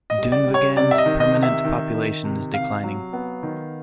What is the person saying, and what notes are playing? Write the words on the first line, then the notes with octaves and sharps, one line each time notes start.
Dunvegan's permanent population is declining.
D#5
G3
D5
G3
C#5
C3 D5
E5
D#5
D#3
D#5
C3
E5
D#3
D#3
C3
C3 F5
F#3
B3
D#3